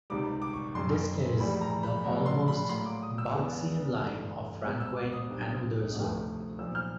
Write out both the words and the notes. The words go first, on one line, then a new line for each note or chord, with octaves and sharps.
This is the almost Barksian line of Franquin and Uderzo.
C#2 C3 D#3 G3 D6
D6
C#6
F#1 F#2 C#3 C6
A#1 A2 E3 G3 B5
A#5
B5
A#1 A2 F#3
C6
B5
A2 F#3 A#3 C6
D6
D#6
E6
E2 C#3 E3 G#3 B3
G1 G2 E3 A3
C#2 B2 G#3 C4
E6
D6
D#6
B1 B2 G3 A#3 D4
D2 C3 F3 A3
B1 A#2 F3 E6
F6